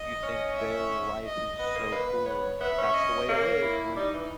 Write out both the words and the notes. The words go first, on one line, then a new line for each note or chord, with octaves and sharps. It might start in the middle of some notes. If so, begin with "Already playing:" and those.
you think their life is so cool, and that's the way to live when
Already playing: D#5
C#4
E5
D#5
B3 D#5
A#3
A#3 B4
B3
B3 C#5
B3 E5
C#4
D#5
A#3 C#5
E4
G3 D#4
E3